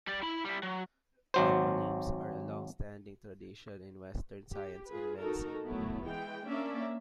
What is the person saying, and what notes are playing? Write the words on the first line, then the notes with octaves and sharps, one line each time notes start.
Eponyms are a longstanding tradition in Western science and medicine.
G3 D5
E4 B5
G3 E4
F#3
G#1 F#3 C5
G4
F4 G#4 B4
D#4 F#4 A4 A#4
F#3 A3 B3 E4
E3 G#3 G5
A#3 C#4 D4 D5 E5